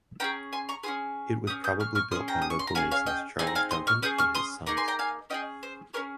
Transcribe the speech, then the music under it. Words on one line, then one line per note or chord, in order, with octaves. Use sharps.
It was probably built by local masons Charles Duncan and his sons.
C#4 F4 G#4 G5 A#5
G#5 C6
A#5 C#6
C#4 F4 G#4 C6 D#6
C#4 G#4 D#6 G6
D#6 G6
C#6 F6
C#6 F6
C#4 G#4 C6 D#6
G5 A#5
D#6
C#6
C6
A#5
C#4 G#4 F5 G#5
C#5 F5
D#5 G5
C4 D#4 G#4 G#5
A#5
F5 G#5
C6 D#6
C#6 F6
C#4 G#4 D#6 G6
C#6 F6
C6 D#6
A#3 D#4 G#4 A#5 C#6
G#5 C6
G5 A#5
F5 G#5
C#4 F4 G#4 D#5 G5
C5
C#4 F4 G#4 A#4 C#5